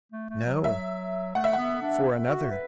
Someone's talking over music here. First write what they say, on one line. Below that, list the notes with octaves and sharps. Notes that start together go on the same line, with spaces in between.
"No; for another."
A3
A3
F#3
E5
A3 F#5
E5
B3 F#5
D4
F#4
B4